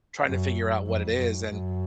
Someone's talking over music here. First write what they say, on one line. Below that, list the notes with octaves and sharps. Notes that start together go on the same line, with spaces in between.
trying to figure out what it is, and,
F#2
F2
F#2
F#2